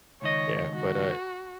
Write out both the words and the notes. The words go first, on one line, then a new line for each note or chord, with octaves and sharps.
yeah, but uh
C#2 D#3 C#5 D#5
F#4